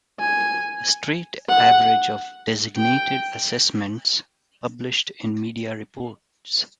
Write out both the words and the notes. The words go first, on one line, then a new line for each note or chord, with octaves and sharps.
A straight average of designated assessments published in media reports.
G#5
F#5
G5